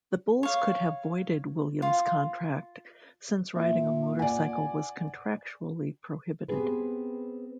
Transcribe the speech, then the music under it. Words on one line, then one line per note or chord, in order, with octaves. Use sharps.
The Bulls could have voided Williams' contract, since riding a motorcycle was contractually prohibited.
C#5 F5
F4
A#2 E5
D5 F#5 G#5
B3 C4 G4 G#4 B4